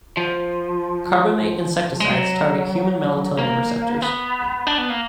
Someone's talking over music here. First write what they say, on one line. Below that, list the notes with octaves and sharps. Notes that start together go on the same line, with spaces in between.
Carbamate insecticides target human melatonin receptors.
F3
G#3
F#3
A#3
B3
D4
B3
A#3